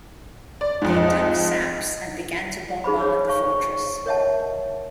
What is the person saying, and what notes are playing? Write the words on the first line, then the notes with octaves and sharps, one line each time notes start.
They dug saps and began to bombard the fortress.
D5
F2 G#2
D#5
D#4 G#4 C5 B5
C#5
C5 C#5 F5 A5 C#6
A#4 C#5 D#5 E5 F#5 A5